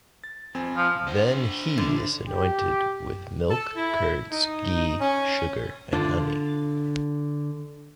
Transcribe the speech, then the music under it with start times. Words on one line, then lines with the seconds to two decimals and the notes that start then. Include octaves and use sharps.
Then He is anointed with milk, curds, ghee, sugar and honey.
0.24 A6
0.54 F2 C4 G#5
0.77 F3
1.08 D4 C5
1.78 D3
2.27 G4
3.49 A4
3.76 E4
4.30 D#4
5.00 C#4
5.93 D3 D4 F4